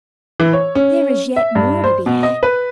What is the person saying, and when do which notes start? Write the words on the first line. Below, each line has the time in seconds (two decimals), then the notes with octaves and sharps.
"There is yet more to be had!"
0.40 E3
0.53 C#5
0.75 C#4
1.36 E5
1.55 G2
1.84 C5
2.06 B2
2.23 D#5
2.43 B4